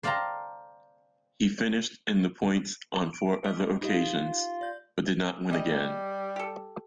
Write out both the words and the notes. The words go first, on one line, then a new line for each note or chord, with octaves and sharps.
He finished in the points on four other occasions, but did not win again.
C5 D5 F5 G5 A5 A#5
D7
D#5 F6
D#4 F4 G4 D#5
D5 G6
G3 G#4 D#5
G4 A4